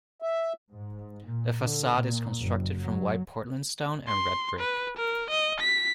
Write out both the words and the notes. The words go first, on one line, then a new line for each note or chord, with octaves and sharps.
The facade is constructed from white Portland stone and red brick.
E5
G#2
A#2
D3
A#2
F#1
F#3
C6
B4
A#4
D#5
B6